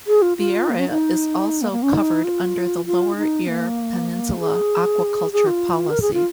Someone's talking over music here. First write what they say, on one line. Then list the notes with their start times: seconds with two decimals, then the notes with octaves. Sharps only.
The area is also covered under the "Lower Eyre Peninsula Aquaculture Policy".
0.07 G#4
0.22 F4
0.38 F4
0.69 A#3
0.79 C#4
0.89 D#4
1.62 A#3
1.72 A#3
1.83 C#4
1.92 D#4
2.24 F4
2.86 F4
3.17 D#4
3.47 A#3
4.40 G#4
5.32 G#4
5.48 F4
5.90 A#4
6.02 G#4
6.13 F4